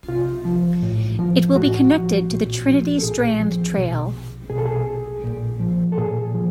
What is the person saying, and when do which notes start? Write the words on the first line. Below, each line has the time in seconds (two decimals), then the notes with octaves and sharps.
It will be connected to the Trinity Strand Trail.
0.08 C3 F4
0.45 F3
0.82 A2
1.19 F3
1.56 A2 F#4
1.92 F3
2.29 A#2
2.66 F3
2.98 A4
3.03 A#2 G#4
3.39 F3
3.77 B2
4.50 B2 G#4
4.58 A4
4.65 G#4
5.23 A#2
5.60 F3
5.92 A4
5.97 A#2 G#4
6.34 F3